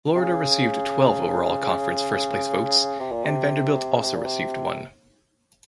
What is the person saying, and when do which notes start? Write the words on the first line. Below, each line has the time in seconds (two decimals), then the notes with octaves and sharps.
Florida received twelve overall conference first place votes and Vanderbilt also received one.
0.16 C3
0.21 C#3
3.00 C3
3.12 A#2
3.25 C3
3.93 C#3
4.03 C3
4.15 A#2
4.26 C3